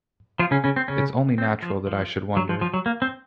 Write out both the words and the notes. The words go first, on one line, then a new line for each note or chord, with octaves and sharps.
It's only natural that I should wonder.
F3 F4
C#3 C#4
C#3 C#4
C4
C#3 C#4
C4
F3
F3
F#3
F3
F3
F#3
A#3
C4